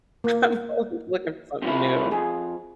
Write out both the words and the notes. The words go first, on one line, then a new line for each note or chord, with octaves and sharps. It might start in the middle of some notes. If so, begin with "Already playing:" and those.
I'm always looking for something new.
A#3
C3 F3 E4
F2 G#4